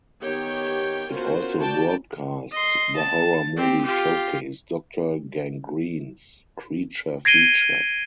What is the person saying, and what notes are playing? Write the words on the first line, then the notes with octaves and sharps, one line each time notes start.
It also broadcasts the horror movie showcase "Doctor Gangrene's Creature Feature".
D#3 B3 G4 C#5 G5
B3 C#4 F4 F#4 A#4 C5
F#4 D5 G5 A5
D#5 C6
A5
C4 G4
F4 G4
G#6 A#6 C7 D7 D#7 G7